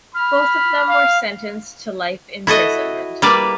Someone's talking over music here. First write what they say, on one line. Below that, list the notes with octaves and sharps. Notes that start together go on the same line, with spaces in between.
Both of them were sentenced to life imprisonment.
B5 F6
F5
E4 F#4 A4 D#5
G3 A#3 B4 D5